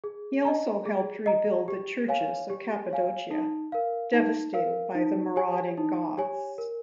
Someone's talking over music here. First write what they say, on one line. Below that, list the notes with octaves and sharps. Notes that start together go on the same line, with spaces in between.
He also helped rebuild the churches of Cappadocia, devastated by the marauding Goths.
G#4
D#5 A#5
G#4
D#5 A#5
G4
C#5 F5 G#5
G4
C#5 F5 G#5
D#4
A#4 F5
D#4
A#4 F5
D#4
G4 C#5 G#5
D#4
G4 C#5 G#5
A#4